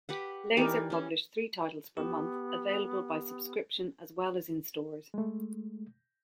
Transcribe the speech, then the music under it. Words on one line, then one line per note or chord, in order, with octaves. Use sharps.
Laser published three titles per month, available by subscription as well as in stores.
G4 B4 F#5
E3 D#4 G4 A#4 D5
E3 C#4
B3 G4
G#3 A3